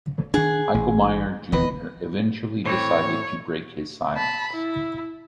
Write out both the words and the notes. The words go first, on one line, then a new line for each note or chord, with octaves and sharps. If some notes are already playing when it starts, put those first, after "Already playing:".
Hilgemeier Junior eventually decided to break his silence.
D#3 D4 G#4 F#5
A1
E1 D#2 E3 B4 D#5
A2 E3 C4 C#5
A5 B5
E4